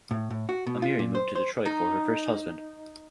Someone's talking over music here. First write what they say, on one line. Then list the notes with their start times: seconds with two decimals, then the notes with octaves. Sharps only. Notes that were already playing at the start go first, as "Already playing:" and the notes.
Ameri moved to Detroit for her first husband.
0.11 A2
0.30 A2
0.49 F#4
0.67 B2
0.82 F4
0.99 A#2
1.15 C5
1.35 C5
1.65 D#4